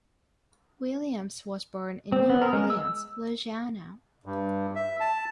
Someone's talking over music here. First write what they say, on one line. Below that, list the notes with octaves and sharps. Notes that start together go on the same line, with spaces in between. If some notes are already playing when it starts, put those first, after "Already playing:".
Williams was born in New Orleans, Louisiana.
C4
B3
A#4
G#3
E6
G2
E5
A5